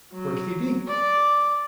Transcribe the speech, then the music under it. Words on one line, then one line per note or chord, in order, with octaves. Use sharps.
Where could he be?
F#3
D5